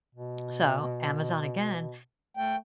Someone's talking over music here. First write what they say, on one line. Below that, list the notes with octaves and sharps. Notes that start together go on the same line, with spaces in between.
So, Amazon again.
B2
A3 G5